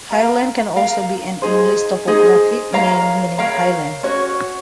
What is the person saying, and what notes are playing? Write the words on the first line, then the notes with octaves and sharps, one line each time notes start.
Hyland can also be an English topographic name meaning "high land".
A#4 F5 A#5
A#4 F5 A#5
D#4 G#4 C5
D#4 G#4 C5
A#4 C#5 F5 A#5
A#4 C#5 F5 A#5
C#4 F#4 C#5